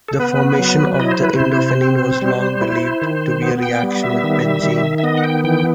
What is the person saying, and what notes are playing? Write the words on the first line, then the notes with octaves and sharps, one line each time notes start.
The formation of the indophenin was long believed to be a reaction with benzene.
A4
B3 B4
F#3
E4 D#5
C5
B4
C3 C5
C4
G3
E4
D#3
B3
G5
G3
E5
D#3
D#3
E5
B3 D#5
F#5
G5
E3 G5